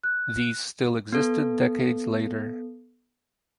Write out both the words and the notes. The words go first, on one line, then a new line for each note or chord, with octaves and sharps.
These still existed decades later.
F#6
B3 A4